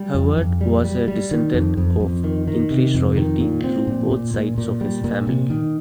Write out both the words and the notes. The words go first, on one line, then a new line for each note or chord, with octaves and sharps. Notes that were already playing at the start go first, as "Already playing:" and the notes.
Howard was a descendant of English royalty through both sides of his family.
Already playing: G3
F2
F2
G3
G3
G3
D#3
F2
F2
F2
D#3
D#3
C3
F2
D#3
A#2
C4
A#2
A#2
A#2
A#2
G3
A#2
C3
D#3